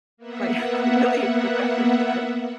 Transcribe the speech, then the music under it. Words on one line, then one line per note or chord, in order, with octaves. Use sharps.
right, really aggressively, right?
A#3 B3 E5 F#5